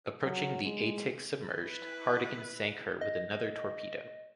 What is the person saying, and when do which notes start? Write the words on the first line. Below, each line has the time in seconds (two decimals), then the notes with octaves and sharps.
Approaching the "Atik" submerged, Hardegen sank her with another torpedo.
0.24 F#3
0.64 G#3
1.52 E4 B4
3.01 D#5